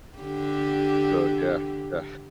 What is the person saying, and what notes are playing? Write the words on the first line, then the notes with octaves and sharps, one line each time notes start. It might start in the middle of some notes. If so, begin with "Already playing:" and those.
so yeah, yeah.
D3 G4